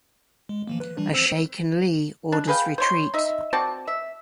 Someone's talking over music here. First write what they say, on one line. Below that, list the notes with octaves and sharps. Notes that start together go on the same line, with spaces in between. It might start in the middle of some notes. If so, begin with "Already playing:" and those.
A shaken Lee orders retreat.
G#3
E3 F3 A#3
B4
E3 G3 D4
C4 C5 E6
D4
G#4 B4 F5 G5
C5 C#5 C6
D#4 E5
C4 F#4 D5 A5
E5